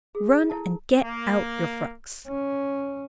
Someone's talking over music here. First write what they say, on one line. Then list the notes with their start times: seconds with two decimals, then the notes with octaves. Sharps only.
Run and get out your frocks.'
0.15 G#4
0.50 E4 A4 A5
1.04 A#3
2.27 C#4